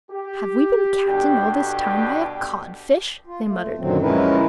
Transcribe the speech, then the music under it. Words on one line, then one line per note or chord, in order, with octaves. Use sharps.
"Have we been captained all this time by a codfish!" they muttered.
G4
G2 B2 D4 G4 A4 G5
F4
A3
F#2 A#2 D3 D#3 F#3 C4
F3 G#3 C#4 E4 A#4 B4